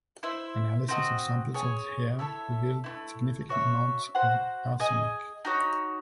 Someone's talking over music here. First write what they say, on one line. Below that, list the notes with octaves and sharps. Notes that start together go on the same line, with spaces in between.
Analysis of samples of his hair revealed significant amounts of arsenic.
E4 C5 E5
C4 F#4 A4 D#5
G#4 C#5 G#5
E4 A4 C#5 E5
A3 C4 E4
F#4 C#5 E5
F#4 C5 F#5
G#4 D#5 G#5
D#4 F#4 C#5